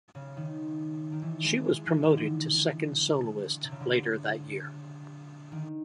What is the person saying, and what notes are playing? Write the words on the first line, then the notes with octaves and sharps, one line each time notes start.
She was promoted to second soloist later that year.
C#3
D#3
D#3
E3
G#3
G#3
E3
D#3
D3
C3
C#3
D3
D#3